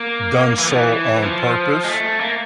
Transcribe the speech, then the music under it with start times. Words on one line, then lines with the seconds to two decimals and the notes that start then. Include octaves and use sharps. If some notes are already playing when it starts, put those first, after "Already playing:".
done so on purpose.
Already playing: A#3
0.59 E3
0.67 F3
0.77 E3
1.23 F3
1.84 G#3
1.89 A3
2.20 A#3